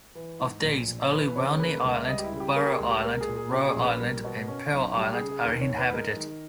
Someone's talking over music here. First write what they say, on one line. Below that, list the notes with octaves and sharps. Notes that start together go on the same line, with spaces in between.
Of these, only Walney Island, Barrow Island, Roa Island and Piel Island are inhabited.
E3
G#2
A#1
A#1
C#5
E3 B4
C#3 C#5
A#3 B4
C#2
E5
G3 D#5
G4
E4
C#3
G4
A#3 A#4
G4
G#4
C#2
G4
A#3 A#4
G#4
A#2
G#4
C#4 G4
G#4
A#1
B4
G3 A#4
B2
C#4
B1
G3 G4
G#4
C#3
G#4
D#2 A#4
C#5
D#2
B4
G#3 A#4
D#3